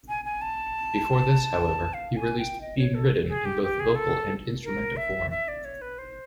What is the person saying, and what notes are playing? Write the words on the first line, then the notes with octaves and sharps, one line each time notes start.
Before this, however, he released "Being Ridden" in both vocal and instrumental form.
G#5
G#5
A5
F5
G#5
G5
D#5
C#5
A4
G#4
G4
G4
G#4
A4
A#4
E5
E5
D5
C#5
B4
C5